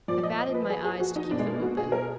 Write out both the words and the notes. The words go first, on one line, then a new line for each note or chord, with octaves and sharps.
I batted my eyes to keep them open.
A#2 F3 D5
D#5
D#5
B4
G#4
G#4
F#4
D#4
B2 D4
G#3
A#3
F#4
G#4
A#4